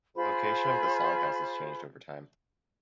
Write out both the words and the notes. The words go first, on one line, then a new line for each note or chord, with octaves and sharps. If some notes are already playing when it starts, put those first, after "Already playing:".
The location of the Song House has changed over time.
F4 G#4 C5 B5